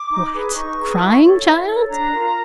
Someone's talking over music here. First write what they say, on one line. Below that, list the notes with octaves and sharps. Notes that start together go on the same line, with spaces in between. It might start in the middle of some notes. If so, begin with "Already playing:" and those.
What! crying, child?
Already playing: D6
D#4
G#4 B4
D6
D#4 C#6
G#4 B4
E4
A4 C#5
E4
A4 C#5
D4 A#5
F4 A#4